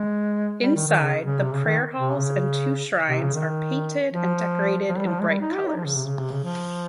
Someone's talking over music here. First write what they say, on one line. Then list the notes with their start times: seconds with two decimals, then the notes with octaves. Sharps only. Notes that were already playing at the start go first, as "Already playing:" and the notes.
Inside, the prayer halls and two shrines are painted and decorated in bright colours.
Already playing: G#3
0.62 G3
0.76 D#3
0.87 D#3
1.01 C#3
1.26 C#3
1.39 C3
1.53 C#3
1.65 D#3
1.97 C3
2.18 C#3
3.08 C3
3.21 C#3
3.34 D#3
4.11 F3
4.89 F3
4.97 G3
5.07 F3
5.20 G#3
5.28 G3
5.41 D#4
5.54 G4
5.67 D#4
5.76 F3
5.86 C#3
5.96 C3
6.06 C#3
6.18 C3
6.32 C#3
6.44 F3